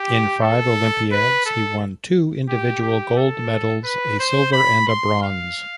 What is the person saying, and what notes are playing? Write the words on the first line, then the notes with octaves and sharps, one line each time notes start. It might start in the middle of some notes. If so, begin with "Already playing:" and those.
In five Olympiads, he won two individual gold medals, a silver and a bronze.
Already playing: G4
A4
B4
A4
G4
G4
A4
B4
C5
B5
C6
F5